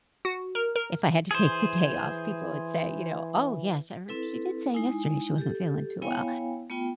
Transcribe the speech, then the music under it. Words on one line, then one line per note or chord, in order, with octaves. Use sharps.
if I had to take the day off, people would say, you know, "Oh, yes, I remember she did say yesterday she wasn't feeling too well."
F#4
A#4
A#4
E3 G#4 C5
C4 E4 A4 B4
G#3 D#4 E4 G#5
G4 A4
B3 E4 C#5 F5 G5 G#5
A3 B3 F4 G5